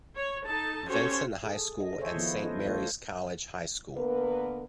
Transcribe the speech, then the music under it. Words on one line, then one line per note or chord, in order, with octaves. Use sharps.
Vincent high school and Saint Mary's College High School.
C#5
D#4 A4 A5
C#4 F#4 G4 A4 C5 C#5
G#4 A4
D#5
G#4 A4 C5 C#5 D#5 E5
D#3 F3 B3 E4 F4 B4
A4 C5 D#5
A3 F4 A4 C5 C#5
D3 A#3 B3 A#4 B4